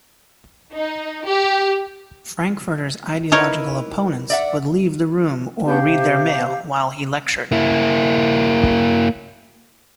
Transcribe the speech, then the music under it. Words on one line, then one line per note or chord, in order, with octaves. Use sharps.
Frankfurter's ideological opponents would leave the room or read their mail while he lectured.
D#4
G4
D#4 E4 A#4 B4 C#5
D5 E5 F#5
B3 D4 G4 F5
C3
A#3 E4